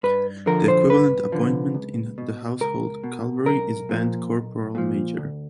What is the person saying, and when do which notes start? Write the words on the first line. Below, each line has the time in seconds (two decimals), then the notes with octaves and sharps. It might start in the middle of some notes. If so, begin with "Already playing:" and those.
The equivalent appointment in the Household Cavalry is band corporal major.
0.03 G2 B4
0.46 D3 F3 A#4
0.68 C5
0.89 G2 B4
1.32 D3 F3
1.75 C#2
2.18 B2
2.61 C#2 A#4
3.04 B2
3.46 B1 A#4
3.89 A#2 F3
4.32 B1
4.75 A#2 F3
5.18 D2